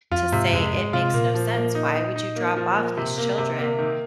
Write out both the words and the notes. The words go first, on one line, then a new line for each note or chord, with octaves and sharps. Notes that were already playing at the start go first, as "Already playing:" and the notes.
to say "It makes no sense. Why would you drop off these children
F2 F4
G#2 C3
F2 G#3
G#2 G#3
C3 F4
A#2 A#3
F3
A#3
D#4
D#4
D#4
A#3
F3
A#3
C3
A#3
C3
A#3
D#3